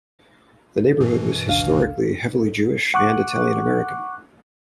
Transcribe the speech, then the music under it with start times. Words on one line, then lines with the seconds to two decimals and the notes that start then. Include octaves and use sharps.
The neighborhood was historically heavily Jewish and Italian-American.
1.00 G2 B2 E3
1.49 G#1 C#2 D4 F5
2.94 F#5 C#6 D6 F#6